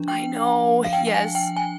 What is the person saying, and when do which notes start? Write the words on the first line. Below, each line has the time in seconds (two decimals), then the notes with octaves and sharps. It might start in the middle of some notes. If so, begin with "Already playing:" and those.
I know, yes.
Already playing: F3 D4
0.08 G5
0.84 F5
0.93 G5
1.07 G5
1.14 G#5
1.35 G5
1.56 G#5